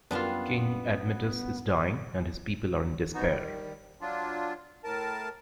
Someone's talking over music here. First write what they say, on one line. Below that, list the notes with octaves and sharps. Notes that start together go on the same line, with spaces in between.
King Admetus is dying, and his people are in despair.
F#2 G3 B3 D4 F4 A5
G#2 C#3 B3 D#4 F#4
D#3 G3
F#3 D4 F4
A2 A#4 A5